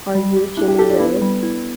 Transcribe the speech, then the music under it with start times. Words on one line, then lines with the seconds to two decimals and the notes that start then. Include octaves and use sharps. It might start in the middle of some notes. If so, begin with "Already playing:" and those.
Are You Jimmy Ray?
0.15 G3
0.36 G4
0.57 D4 E4
0.68 G4
0.79 G4 A4
0.90 D4
0.99 B3 E4
1.22 G3
1.43 E4